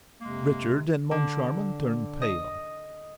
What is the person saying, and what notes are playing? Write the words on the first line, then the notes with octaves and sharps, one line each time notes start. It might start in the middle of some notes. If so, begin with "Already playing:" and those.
Richard and Moncharmin turned pale.
F2 C3 G#3 A#3
D3
D#5